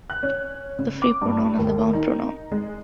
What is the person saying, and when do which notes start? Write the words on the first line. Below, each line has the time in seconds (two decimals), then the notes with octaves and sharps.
The free pronoun and the bound pronoun.
0.10 F#6
0.23 C#4
0.79 C#3
1.02 D6
1.22 G2
1.59 D#2
1.93 D#4
2.52 G#3